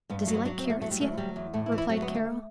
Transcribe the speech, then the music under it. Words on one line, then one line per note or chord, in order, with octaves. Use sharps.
"Does he like carrots yet?" replied Carol.
G2 B3
A3
F#3
B3
F#3 D4
C4
E2
A3
F#3 A3
G3
D2 A3
F#3 G3
E2
A2 A3
E4
E3
E4
F#3 C4
A3
B3
D2
A3